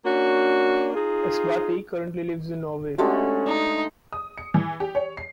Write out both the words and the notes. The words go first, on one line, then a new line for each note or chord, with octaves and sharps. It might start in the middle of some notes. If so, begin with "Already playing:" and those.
Esbati currently lives in Norway.
A#3 C#4 D4 F#4
D#4 F4 G#4
D3 G#3 A3 C#4 F#4 G4
D#4 D5
D#6
C#7
E3
G4
C#5
C7